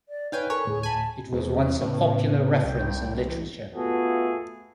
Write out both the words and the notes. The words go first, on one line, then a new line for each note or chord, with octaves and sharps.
It was once a popular reference in literature.
D5
D#4 B4 C#5 F5 G5 G#5
A4 A#4 C#5 G#5
D2 A2 G#4
G#5 A5 B5
E2 G#3 C4
A2 C#3 B3
C2 G5
E3
A3 B3 F4 F#4 G#4 A4